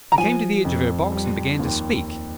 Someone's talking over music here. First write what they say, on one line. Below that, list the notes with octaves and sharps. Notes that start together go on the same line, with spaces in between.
He came to the edge of her box, and began to speak.
A#5
F3 G#5
F2
G3
D#2